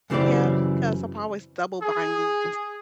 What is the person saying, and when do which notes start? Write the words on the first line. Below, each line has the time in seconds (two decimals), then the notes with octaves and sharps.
Yeah, 'cause I'm always double buying
0.10 F#2 C#3 E3 C4 G4 D5
1.82 G#4